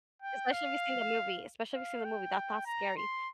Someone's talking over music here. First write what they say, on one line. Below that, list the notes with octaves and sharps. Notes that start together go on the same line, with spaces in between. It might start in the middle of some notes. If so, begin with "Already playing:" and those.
especially if you've seen the movie especially if you've seen the movie, that that's scary.
G5
F5
F5
G5
A#5
C6